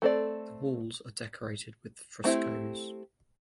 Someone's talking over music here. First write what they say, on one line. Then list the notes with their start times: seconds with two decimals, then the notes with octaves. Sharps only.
The walls are decorated with frescoes.
0.02 A3 C4 A4 D5
2.24 A3 C4 E4 G4